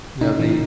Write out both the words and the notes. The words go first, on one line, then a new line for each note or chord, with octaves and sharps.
No, the
C#3 D#4
E3